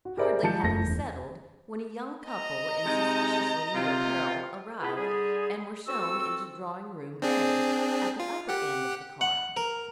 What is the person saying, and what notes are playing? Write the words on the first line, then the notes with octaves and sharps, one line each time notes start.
Hardly had he settled when a young couple in suspiciously new apparel arrived, and were shown into Drawing-Room "A," at the upper end of the car.
F#4
G4 G#4 A#4 C5 D5 E5
F3 G#3 A5 G6 C#7
F#1 A3 A#6
E1
D#5 A#5
C3 G#3 D#4
C3 F4
B3 E4 F4 G#4 B4
D3 G3 G#4
C4 F#4 A4 E6
C4 D4 G#4
F4
G4 F#5
F#5
A#4